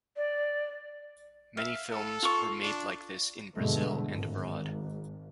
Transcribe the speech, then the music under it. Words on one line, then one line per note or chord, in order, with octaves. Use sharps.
Many films were made like this in Brazil and abroad.
D5
E5 F5
A4
F4 C#6
D4
E2 G2 B2 D3 G#3 A3
G#1